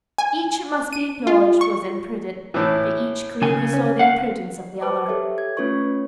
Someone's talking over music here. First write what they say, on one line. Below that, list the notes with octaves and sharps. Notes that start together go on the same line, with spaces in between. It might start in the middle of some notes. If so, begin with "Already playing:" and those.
Each, it must be acknowledged, was imprudent; but each clearly saw the imprudence of the other.
G#5
D#7
F4
C#6
A2 E3
C#3 G#5
C#4
F5 F#5
B4 C5 A5 D6
G4 A4 C#5 E5
G#6
A3 C#4 F4 B4 C#5 C#6